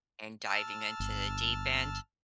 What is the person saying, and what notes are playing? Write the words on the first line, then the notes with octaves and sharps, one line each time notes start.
and diving into the deep end.
A5 E6 F6
G1